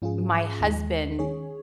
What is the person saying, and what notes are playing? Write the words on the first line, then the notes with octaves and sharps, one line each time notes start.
my husband
G#2 F3 C#4 F4 G#4
D#2 D#3 G#3
D#3 C#4 G#4 C#5